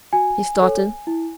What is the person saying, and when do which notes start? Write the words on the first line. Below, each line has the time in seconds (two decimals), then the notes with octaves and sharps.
He started.
0.13 F#4 G#5
0.60 A4 C#5
1.07 E4